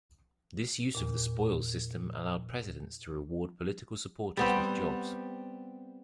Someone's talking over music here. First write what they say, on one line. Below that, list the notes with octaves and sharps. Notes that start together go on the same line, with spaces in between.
This use of the spoils system allowed presidents to reward political supporters with jobs.
E2 A#2
G3 B3 C4